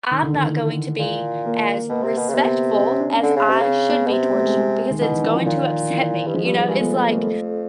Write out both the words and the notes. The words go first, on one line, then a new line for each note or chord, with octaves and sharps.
I'm not going to be as respectful as I should be towards you because it's going to upset me, you know, it's, like
D#3
D3
D#3
E3
A#2
A#3
B2 A#3
C3
B2
C#3
C3 B3
C4
C#4
D4
C#4
D3
C#3
C3
C#3
C4
B3
B2
C3 B3
C4
A3
G#3
G#3
D#3
B2 E3
D#3
E3
F3
A#2 D#3
E3
G2
G#2 F3
G2 G3
G#2 G3
G2 G#3
F2 B3
B3
A#3
A3